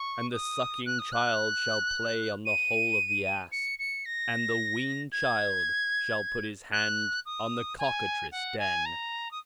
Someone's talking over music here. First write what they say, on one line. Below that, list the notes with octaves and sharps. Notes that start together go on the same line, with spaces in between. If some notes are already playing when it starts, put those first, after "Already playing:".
And the sucking child shall play on the hole of the asp, and the weaned child shall put his hand on the cockatrice' den.
Already playing: C#6
D#6
F#6
D#6
F#6
D#7
C#7
C#7
A#6
G#6
F#6
D#6
G#5
F#5
G#5
A#5
D#6